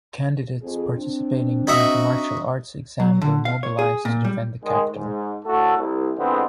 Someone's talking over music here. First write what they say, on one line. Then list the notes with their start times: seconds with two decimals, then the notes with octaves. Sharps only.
Candidates participating in the martial arts exam were mobilized to defend the capital.
0.62 F2 G#4
0.96 C4 D4
1.67 D#4 F#4 E5
3.00 F#3
3.22 D3
3.45 F5
3.63 C#5
3.79 G#4
4.05 A#2
4.25 G3
4.63 D#3 G#3
4.93 G#2
5.45 A2 A3 F#4 A4
5.77 C2
6.17 F2 D3 E3 G#3 B3 C4